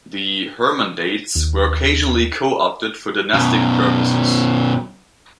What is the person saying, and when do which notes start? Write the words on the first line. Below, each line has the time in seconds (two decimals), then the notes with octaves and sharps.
The "hermandades" were occasionally co-opted for dynastic purposes.
1.35 D#2
3.34 F#2 B2